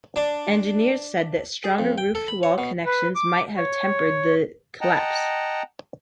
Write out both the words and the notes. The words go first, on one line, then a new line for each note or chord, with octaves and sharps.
Engineers said that stronger roof-to-wall connections might have tempered the collapse.
D4
G#4
F2
G5
A4
B5
C#5
B2
B4
D6
C#5
D#5 F#5 G5 A5 A#5